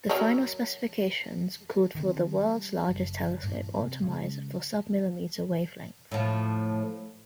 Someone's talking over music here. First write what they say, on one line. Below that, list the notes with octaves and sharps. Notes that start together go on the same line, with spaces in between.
The final specifications called for the "world's largest telescope optimised for submillimetre wavelengths".
F#3 A#4
D#3 E3 G#3 C4
G3
F#1
G2 A#2 E3
C3
C#3 G#3
A2 F3